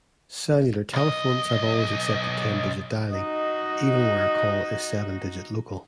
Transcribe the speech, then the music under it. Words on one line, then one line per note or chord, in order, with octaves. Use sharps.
Cellular telephones have always accepted ten-digit dialing, even where a call is seven-digit local.
B1 D#5
D#4 F#4 D#5